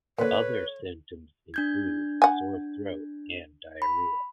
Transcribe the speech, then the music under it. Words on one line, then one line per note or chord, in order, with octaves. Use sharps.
Other symptoms include sore throat and diarrhea.
A#2 D3 B4 C#5
D4 G6 G#6
F#5 G#5
B5